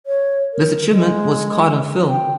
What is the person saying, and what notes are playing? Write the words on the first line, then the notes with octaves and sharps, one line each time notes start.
This achievement was caught on film.
C#5
A#4
G#3
G5